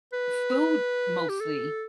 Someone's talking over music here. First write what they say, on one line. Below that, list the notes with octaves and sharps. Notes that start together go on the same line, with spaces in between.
food mostly.
B4
G4
A4